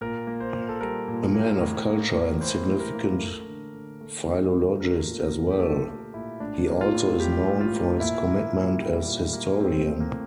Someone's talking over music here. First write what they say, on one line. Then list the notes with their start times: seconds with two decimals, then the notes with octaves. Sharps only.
A man of culture and significant philologist as well, he also is known for his commitment as historian.
0.01 A#2 A#4
0.27 A#3
0.40 C5
0.55 A#2
0.69 A4
0.81 G3 A#4
1.08 A#2
1.34 A#3
1.61 A2
1.88 A#3
2.15 A2
2.41 E3 C5
2.67 A2
2.80 A#4
2.95 A#3
3.21 A3
3.48 D3
3.74 D3
4.01 A3
4.27 A3
4.54 D3
4.80 A3 A#4
5.07 A#2
5.21 A#4
5.34 A#2
5.50 G4
5.60 A3 A4
5.87 A3
6.14 A#2 E4
6.40 A2 D4
6.67 A#3
6.81 F4
6.94 A2
7.20 E3 G4
7.48 A2
7.61 F4
7.74 A#3
8.00 A#2 E4
8.27 A#3
8.53 A#2
8.80 G3
9.07 A#2
9.33 A#3
9.60 A2 C4
9.87 A3
10.00 A#3